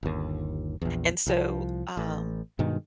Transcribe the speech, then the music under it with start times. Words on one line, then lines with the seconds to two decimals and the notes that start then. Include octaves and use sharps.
and so, um,
0.03 G1 D#2
0.82 A#1 E2
1.26 C2 F3
1.97 A1
2.59 G2 B2 D#3 G#3